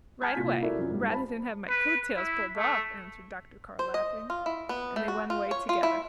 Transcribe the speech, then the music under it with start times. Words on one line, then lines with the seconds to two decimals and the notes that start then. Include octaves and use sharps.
"Right away--rather than have my coat-tails pulled off," answered Dr. Carr, laughing, and they went away together.
0.22 G#5 A5 F6 G6 G#6
0.35 C2 A#2 F4 B6
0.62 E4 F#4 A4 A#4 D5 E5
0.78 F#2 F3
0.90 G#2 G3
1.09 C5 A5 B5
1.69 B4
2.17 E4
2.56 A3
3.79 C5
3.94 D#5
4.30 F4
4.46 E4
4.69 B3
4.96 A3
5.08 F#4
5.30 F4
5.51 C#5
5.69 F4
5.83 E4